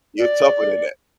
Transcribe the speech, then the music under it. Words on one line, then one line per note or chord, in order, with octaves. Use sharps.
you're tougher than that.
D5